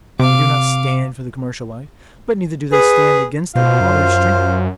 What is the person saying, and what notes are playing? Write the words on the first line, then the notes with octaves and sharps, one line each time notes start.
They do not stand for the commercial life, but neither do they stand against it with all their strength.
C3 F5 D6
G#4 B4
B2 F4 C5 F5
F#2